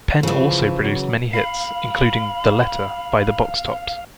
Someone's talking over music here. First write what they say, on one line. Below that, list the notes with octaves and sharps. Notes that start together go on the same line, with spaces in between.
Penn also produced many hits, including "The Letter", by the Box Tops.
C#3 E3 F3
F#3
F5 B5